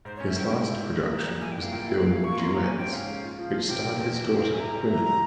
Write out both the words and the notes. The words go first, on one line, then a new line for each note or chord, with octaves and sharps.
His last production was the film "Duets", which starred his daughter, Gwyneth.
G#2 C5
C#4 C#5
E5
G#2 G5
G#3
E4
E4
G2
A#3
G3
E4 G#5
G5
A#2
F5
A#2 G5
E4 F5
A#2
E4
C#6
A#3
C6
A#3 A#5
C#3 G#5
G#2 G5
C#4 F5
G#3 F5
F4
F3
F4
C3 G5
C3
E2
C3
C3
F5
C3 G5
G#5
E4 A#5
G3
E4
E4